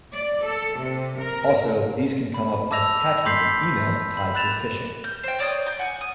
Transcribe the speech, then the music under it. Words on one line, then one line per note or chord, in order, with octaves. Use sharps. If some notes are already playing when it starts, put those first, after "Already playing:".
Also, these can come up as attachments in emails tied to phishing.
D5
A4
C3
A#4
B5
A5 D6 E6 A#6 F7
B5 C6 D6 G6 B6 C7
B5
B5 F#6 A6 E7 F7
G6
C5 G5
C#5 D5 D#6 G6
G5 G6
F#5 G#5
D#6